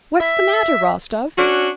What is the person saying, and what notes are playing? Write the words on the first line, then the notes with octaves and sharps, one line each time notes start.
What's the matter, Rostov?
E5
C#4 D4 F#4